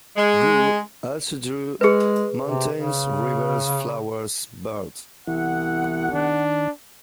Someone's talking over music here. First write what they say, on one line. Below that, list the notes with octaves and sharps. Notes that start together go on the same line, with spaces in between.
Wu also drew mountains, rivers, flowers, birds.
G#3
G#3 G#4 B4
C3
C#3
C2 E3 B3 E4 F#5
D#3 D4